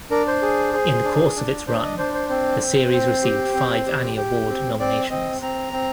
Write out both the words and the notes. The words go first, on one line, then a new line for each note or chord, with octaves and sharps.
In the course of its run, the series received five Annie Award nominations.
D4 A#4
C5
G#4
G#4
D4
D4
D4 C5
D#5
D4 C5
C5
C4 C5
C4
C4
G4
C4
G4
G4
C4
C4 D5
C4 D#5
C4 A#5
C4